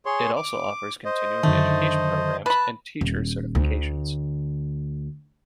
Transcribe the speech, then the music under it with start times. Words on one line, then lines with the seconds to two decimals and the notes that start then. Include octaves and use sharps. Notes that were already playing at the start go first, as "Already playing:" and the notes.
It also offers continuing education programs, and teacher certifications.
0.05 G#4 C#5 C6
0.36 D6
1.05 C5 D#5
1.43 F#2 D3 D#3 A3
2.46 B4 A5 B5 F#6
3.01 D#1
3.55 D2